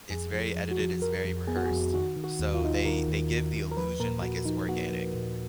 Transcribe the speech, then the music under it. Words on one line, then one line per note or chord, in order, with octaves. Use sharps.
It's very edited, it's very rehearsed. So, they they give the illusion like it's organic,
F2 G#4
F3
F2
F#4
F3
F2 A#4
F2
B3 G#4
F#4
G#4
F2
D#3 F#4
D#3
F#4
D#2
F4
D#3 D#4
F4
D#3 A#4
D#2
D#2
D#2
A#4
F3 B4
A#2 A#4
A#2 F#4
F3 D#4
A#3 F#4
F3
A#2